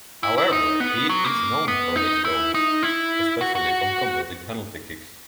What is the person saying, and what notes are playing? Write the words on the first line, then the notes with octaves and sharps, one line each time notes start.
However, he is known for his goals, especially from converting penalty kicks.
E4
E4
D#4
B3
F#3
A#3
B3
D#4
E4
D#4
E4
F#4
F#4